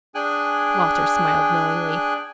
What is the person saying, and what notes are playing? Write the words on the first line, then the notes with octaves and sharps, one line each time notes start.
Walter smiled knowingly.
D4 G#4 G5 G#5 F#6